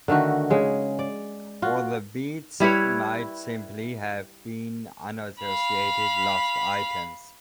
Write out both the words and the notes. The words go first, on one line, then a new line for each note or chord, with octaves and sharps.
Or the beads might simply have been unassociated lost items.
D3 D#3 A3 F#4
C#3 G#3
D5
F4 F#4
G3 E4 B4 C#5
F5 B5